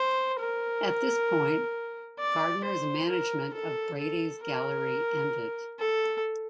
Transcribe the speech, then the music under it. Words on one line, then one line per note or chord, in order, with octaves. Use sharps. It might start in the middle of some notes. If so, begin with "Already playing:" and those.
At this point, Gardner's management of Brady's gallery ended.
Already playing: C5
A#4
D5
C5
A#4
A4
A4
A#4
A4